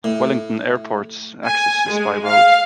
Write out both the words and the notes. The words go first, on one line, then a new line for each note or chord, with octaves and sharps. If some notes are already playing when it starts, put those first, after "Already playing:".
Wellington Airport's access is by road.
A2
G#5
G#3
F5